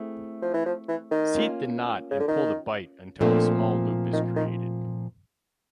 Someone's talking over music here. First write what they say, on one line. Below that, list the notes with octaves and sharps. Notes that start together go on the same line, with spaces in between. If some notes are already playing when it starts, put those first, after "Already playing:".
Seat the knot and pull the bight until a small loop is created.
Already playing: A3 C4 E4 G#4
F3
E3
F3
E3
D#3
A#3 C#4 F4
C#3
D3
D#3
A#2 D3 F3 A3 C4
D#3
D#3